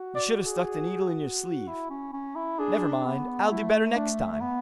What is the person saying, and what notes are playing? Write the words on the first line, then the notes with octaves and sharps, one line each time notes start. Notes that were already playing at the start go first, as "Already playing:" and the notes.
You should have stuck the needle in your sleeve.' 'Never mind, I'll do better next time.'
Already playing: F#4
D5
G#4
E4
C#4
C#4
E4
D4 G#4
B3
A3 E4
D4
A3
B3